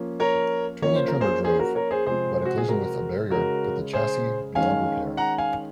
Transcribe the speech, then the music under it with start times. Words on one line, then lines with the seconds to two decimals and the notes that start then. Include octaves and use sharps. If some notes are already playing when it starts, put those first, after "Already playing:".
Tony Trimmer drove but a collision with a barrier put the chassis beyond repair.
Already playing: F3 A#3 C#4
0.20 A#4 C#5
0.82 F3 A#3 C#4 C#5
0.96 C5
1.08 A#4
1.21 G#4 C5
1.45 G#4 C5
1.59 F#4 A#4
1.75 A#4 C#5
1.91 G#4 C5
2.06 C3 F3 G#3 C4 G#4 C5
2.45 F#4
2.58 G#4
2.68 F#4 A#4
3.31 C#3 G#3 C#4 F#4 A#4
3.93 G#4 C5
4.55 D#3 G#3 C#4 F5 G#5
5.17 F#5 A#5
5.38 F5 G#5